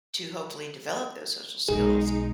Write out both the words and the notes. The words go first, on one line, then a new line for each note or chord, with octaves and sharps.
to hopefully develop those social skills,
B1 B2 G#3 D#4 G#4